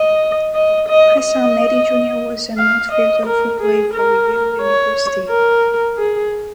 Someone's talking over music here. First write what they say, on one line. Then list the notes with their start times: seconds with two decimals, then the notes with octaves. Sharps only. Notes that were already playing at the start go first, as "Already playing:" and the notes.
His son, Eddie Junior was an outfielder who played for Yale University.
Already playing: D#5
0.55 D#5
0.89 D#5
1.23 D#5
2.58 F5
2.92 D#5
3.26 A#4
3.61 G#4
3.94 A#4
4.62 C#5
5.30 A#4
5.98 G#4